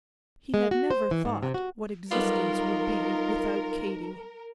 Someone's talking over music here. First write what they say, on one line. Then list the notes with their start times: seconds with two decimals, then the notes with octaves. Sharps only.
He had never thought what existence would be without Katy.
0.54 G#3
0.71 F#4
0.90 C5
1.11 E3
1.25 G#2
1.43 C3
1.54 F#4
2.11 B1 G3 B3 D#4 F4 A#4